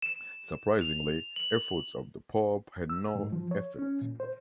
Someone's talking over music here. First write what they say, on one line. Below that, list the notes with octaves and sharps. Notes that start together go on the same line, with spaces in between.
Surprisingly, efforts of the pope had no effect.
E7
F7
F#7
E6
G#2
F3
C#5
C#4
A#2
C5